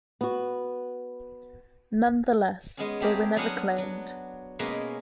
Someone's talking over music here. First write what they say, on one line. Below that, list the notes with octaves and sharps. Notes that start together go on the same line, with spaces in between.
Nonetheless, they were never claimed.
B3 F#4
G#3 B3 C#4
A3 C4 G4 G#4 A#4
F#3 B3 D4 F5 F#5 G#5
F#3
B2 G#3 A#3 C#4 B4